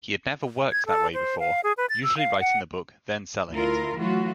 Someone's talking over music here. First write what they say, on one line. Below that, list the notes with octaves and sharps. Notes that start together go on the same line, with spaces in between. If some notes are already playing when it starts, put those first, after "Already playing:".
He had never worked that way before, usually writing the book then selling it.
G#6
A4
C5
F5
G#4
B4
A6
E6
F5
F#5
D2 E4 F4 A#4
E3 F#3 A3 F4 F#4